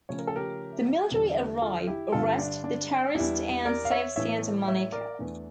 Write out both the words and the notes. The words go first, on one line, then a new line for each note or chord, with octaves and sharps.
The military arrive, arrest the terrorists and save Santa Monica.
C#3 F3 A3 C#4 C#5
A#4
A4
G4 A#4
E2 D3 G3 D4
F4 A4
E4 G4
G2 D3 G3 F4 A4
D4
D4
E2 E3 G3 D4 E4
A#4 D5
F5
C#5 E5
A2 E3 A3 C#5 E5
C#5 E5
A#4 D5
E2 E3 A3 D4